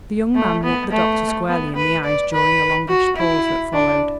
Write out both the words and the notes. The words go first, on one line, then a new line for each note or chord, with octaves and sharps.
The young man looked the doctor squarely in the eyes during the longish pause that followed.
A3
B3
A3
B3
B4
D5
B4
F#4
E4
D4